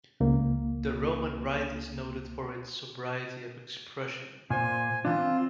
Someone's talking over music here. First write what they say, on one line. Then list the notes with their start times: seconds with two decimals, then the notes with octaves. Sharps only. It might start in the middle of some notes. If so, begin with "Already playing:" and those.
The Roman Rite is noted for its sobriety of expression.
0.20 C#2 A#3
4.50 A#2 C5 G#5
5.05 E3 D4 F4
5.18 C4